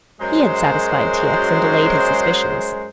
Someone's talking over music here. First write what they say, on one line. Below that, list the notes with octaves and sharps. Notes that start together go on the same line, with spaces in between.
He had satisfied T. X. and allayed his suspicions.
F#2 G#3 C5